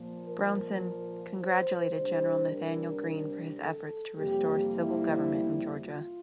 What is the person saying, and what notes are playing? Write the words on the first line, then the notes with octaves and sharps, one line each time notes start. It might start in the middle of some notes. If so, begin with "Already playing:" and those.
Brownson congratulated General Nathanael Greene for his efforts to restore civil government in Georgia.
Already playing: A#2 F3 A#3
A#4
C5
C3 G3 D4 C5
A#4
A4
F2 C3 G3 A#3 G4
E4
F4